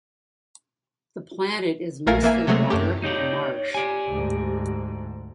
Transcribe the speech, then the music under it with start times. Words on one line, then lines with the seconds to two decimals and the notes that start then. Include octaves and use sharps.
The planet is mostly water and marsh.
2.07 A#1 A3 A#4 F5 G#5 A6
2.22 E3 A#3 E5 G#5
2.47 C3 F#3 G#3 A3
2.70 F#2 A3 G4
3.04 D#4 G4 C#5 D5
3.75 G4 D5 G#5
4.08 D2 G#2